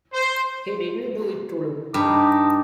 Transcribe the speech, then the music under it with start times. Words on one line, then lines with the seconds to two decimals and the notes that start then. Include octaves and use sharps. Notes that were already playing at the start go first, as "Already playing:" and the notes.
He didn't do it to look cool.
0.13 C5
1.94 G2 D#4 A5 D6